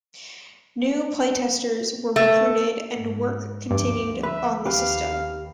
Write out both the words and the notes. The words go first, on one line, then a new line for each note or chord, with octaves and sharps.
New playtesters were recruited and work continued on the system.
A3
G#2
D2 G2 F3 D6
B4 E5
D#2 G4 B4 F5